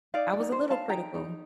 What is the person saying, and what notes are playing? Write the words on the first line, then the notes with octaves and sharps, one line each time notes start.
I was a little critical,
D#4 D5 F5
D5
D#4
C5
A4
F5 A5
D#4 G5 A#5
D#4